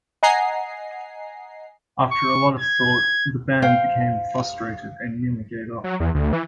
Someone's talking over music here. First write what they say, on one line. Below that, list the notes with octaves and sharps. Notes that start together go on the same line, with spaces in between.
After a lot of thought, the band became frustrated and nearly gave up.
D#5 F#5 G#5 A#5 C7
C#6
G#6
C5 F5 G5
F#3
E2
D2
E3